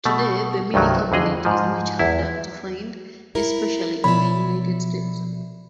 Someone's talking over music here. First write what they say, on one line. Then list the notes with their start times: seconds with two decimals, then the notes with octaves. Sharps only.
Today the mini-cabinet is much harder to find, especially in the United States.
0.05 B2 A3
0.74 C2 G2 D#3 F#3
1.12 F2 D3 G#4 D#5
1.45 G#2 F3
1.99 E2 E4
3.35 E4 A#4
4.04 B2 F3 C#5 D5 E5 B5